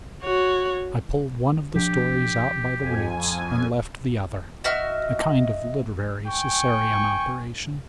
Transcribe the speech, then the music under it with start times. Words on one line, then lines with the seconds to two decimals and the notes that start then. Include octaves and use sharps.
I pulled one of the stories out by the roots, and left the other--a kind of literary Caesarean operation.
0.23 F#4 C#5
1.76 F3 D4 G4
2.79 F2 G#5
4.64 F#4 D#5 E5 F6
6.26 G5 G#5 C#6